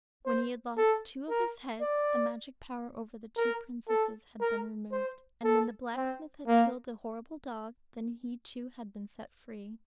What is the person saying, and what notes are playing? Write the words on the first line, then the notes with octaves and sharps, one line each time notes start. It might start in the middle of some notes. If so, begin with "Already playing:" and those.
When he had lost two of his heads the magic power over the two princesses had been removed, and when the blacksmith had killed the horrible dog, then he too had been set free.
C5
A4
A#4
D5
A#4
A4
A#4
C5
A4
C4
A#3